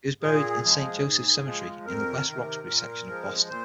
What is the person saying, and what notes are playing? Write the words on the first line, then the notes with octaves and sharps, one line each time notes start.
He was buried in Saint Joseph Cemetery in the West Roxbury section of Boston.
A#2 G#4
F3 G#3
G#2
F3 G#3
F2 A#4
C3 D#3
A#2
F3 G#3
A#2 C5